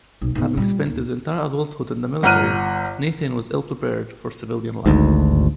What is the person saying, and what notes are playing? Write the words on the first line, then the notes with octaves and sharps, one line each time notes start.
Having spent his entire adulthood in the military, Nathan was ill-prepared for civilian life.
B1
G#2 B3
A#2 G3
D#2
G1 F#5 A#5 F6 F#6 D#7
G#1 D2 G#2